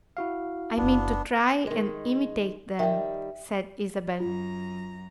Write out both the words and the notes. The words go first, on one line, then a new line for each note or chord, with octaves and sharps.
"I mean to try and imitate them," said Isabel.
E4 F#4 F5
F#1 B3 D4 D#4
D#3 G#3
D#3 G3 E5 G5
F#2 F4 A#5